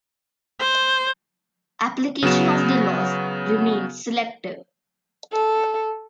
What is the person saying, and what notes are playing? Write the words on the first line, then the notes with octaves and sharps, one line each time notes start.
Application of the laws remains selective.
C5
C#3 F#3 B3 F#4 E7
A4